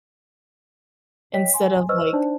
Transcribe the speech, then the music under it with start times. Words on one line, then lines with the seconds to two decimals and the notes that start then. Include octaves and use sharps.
Instead of like,
1.34 C#5 D#5 G5 B6
1.54 G#5 C6
1.89 B4 C5 D#5 C#6 E6 F6
2.13 D4 D#4 C5 D5 A5